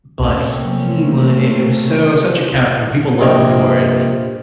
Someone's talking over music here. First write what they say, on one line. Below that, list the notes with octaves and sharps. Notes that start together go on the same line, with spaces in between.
but he would i it was so such a character, and people loved him for it.
C3 A3 A#3 C4 C#4
A#1 C3 A#3 D#5 G5 G#5